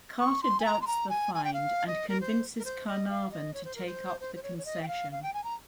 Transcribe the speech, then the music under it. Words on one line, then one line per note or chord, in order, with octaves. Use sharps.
Carter doubts the find and convinces Carnarvon to take up the concession.
C#6
C6
G#5
A#5
C6
A#5
G#5
G#5
G5
F5
D#5
A#4
C5
A#4
C5
D#5
F5
D#5
C#5
C5
A#4
C5
C5
C5
C#5
C#5
D#5
G5
F5
F5
G5
G#5
A#5